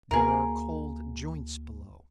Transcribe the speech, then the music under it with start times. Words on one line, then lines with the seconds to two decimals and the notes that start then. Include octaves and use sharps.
There are cold joints below.
0.11 D2 A#3 G#4 A#4